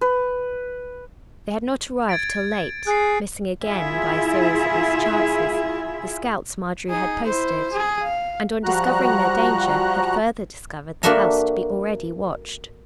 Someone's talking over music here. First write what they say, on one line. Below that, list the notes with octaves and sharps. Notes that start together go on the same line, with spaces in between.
They had not arrived till late, missing again, by a series of mischances, the scouts Marjorie had posted; and, on discovering their danger, had further discovered the house to be already watched.
B4
G#6 A6 D7
G#4 F#6 C7
E4 F4 G#4 E5
D#4 G#4
E4 C5
G#4
F5
F3 G3 F#4 A#5 F#6
A#3 D4 F#4 A4 E5 A#5